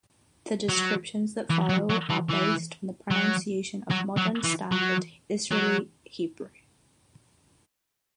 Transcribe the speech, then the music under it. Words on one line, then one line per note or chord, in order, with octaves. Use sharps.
The descriptions that follow are based on the pronunciation of modern standard Israeli Hebrew.
F#3
E3
F#3
F#3
E3
E3
F#3
F#3
F#3
E3
F#3
F#3